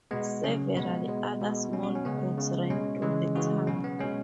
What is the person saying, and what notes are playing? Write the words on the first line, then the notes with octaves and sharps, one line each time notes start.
Several other small brooks run through the town.
B2 G#3 B3
C#3 F#3 C#4
B2 G#3 B3
B2 G#3
B2 G#3
B2 F#3 C#4
F#4
C#4
C#3 G#3 B3
C#3 G#3
B2 G#3 C#4
C#3 E3 G#3
C#3 E3 G#3 F#4
B2 F#3 C#4
B3
B2 G#3 C#4